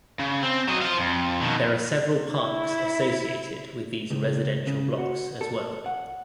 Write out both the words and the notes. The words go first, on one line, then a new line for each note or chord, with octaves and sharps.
There are several parks associated with these residential blocks as well.
C#3
C4
F#3 D#5
C5 F5
F2
B2 D#3
E4
C#2
C#3
F#4
A4
F#5